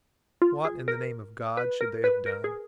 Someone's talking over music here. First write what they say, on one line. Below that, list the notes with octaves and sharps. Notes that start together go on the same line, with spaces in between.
What, in the name of God, should they have done?
F4
G#4
A#4
B4
A#4
B4
A#4
G#4